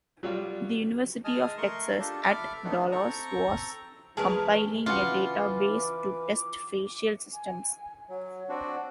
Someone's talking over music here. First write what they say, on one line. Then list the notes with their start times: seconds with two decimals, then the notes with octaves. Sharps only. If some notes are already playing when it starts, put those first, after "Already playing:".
The University of Texas at Dallas was compiling a database to test facial systems.
0.23 F#3 G3 F4
1.25 G#3 D#5 G#5 A5 D#6 F6
1.58 A3 A#4 C6 C#6
2.00 D4 F4 G4 A4 A5
2.22 A4 E5 B5 D6 F6
2.64 A3 B3 C4 D4 D#4
2.92 C4 A4 G5 A#5 C#6
4.17 E2 G#3 G#4 A#4 B4 C#5 A5 F6
4.86 C#3 E3 F4 F#4 B4 F#5 D6
7.34 G#5
8.09 F#3 C#5
8.49 C4 D4 F#4
8.71 A5